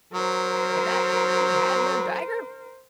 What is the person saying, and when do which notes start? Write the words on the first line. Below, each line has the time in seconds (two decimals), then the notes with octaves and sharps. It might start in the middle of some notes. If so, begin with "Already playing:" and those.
And that he had no dagger?
0.13 F#3 A#4 C5